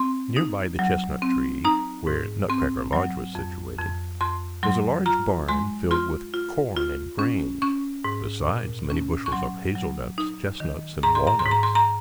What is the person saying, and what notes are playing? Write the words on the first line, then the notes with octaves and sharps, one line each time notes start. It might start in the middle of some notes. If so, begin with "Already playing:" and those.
Near by the chestnut-tree where Nutcracker Lodge was situated was a large barn filled with corn and grain, besides many bushels of hazel- nuts, chestnuts, and walnuts.
Already playing: C4 C6
D#4
F#3
C4
D#4 A#5
G#2
C4 C6
F#3
F2
F2
F2 C6
F#3 C6
F4 A#5
G#3 C6
F4 C6
F4
F4
C#4
C#4 C#6
G#2
A#2
C#4
C#6
F#3 C6
F#3
D#4
D#3
G#2 A#5
C6
A#5
C6
G#2
A#5
C6
A#5